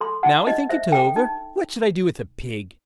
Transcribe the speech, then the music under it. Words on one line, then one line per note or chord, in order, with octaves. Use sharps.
Now I think it over, what should I do with a pig?
A4 C6
D#4 F#5
D#4 D#5
C5 E5
A4 G5
D#4